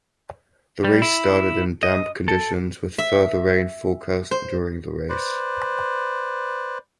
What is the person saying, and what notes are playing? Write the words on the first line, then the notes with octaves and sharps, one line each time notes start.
The race started in damp conditions with further rain forecast during the race.
G3
E4
D#5
A4
E5
C5
B4 C5 D5